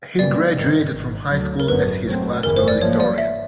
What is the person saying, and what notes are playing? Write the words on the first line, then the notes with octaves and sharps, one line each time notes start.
He graduated from high school as his class valedictorian.
F#2 C#3 E3 G3 B3 D5
G#1 G2 D#3
G#1 G#2 D#3
D2 D3 F#3
A#4
G#1 F#2 D3 F#3 B3 B4
A1 A2 F#3 A3 C4
G1 F2 C#3 E3 A#4
C5
D5
G#2 F3 A#3 C#5
D5
E5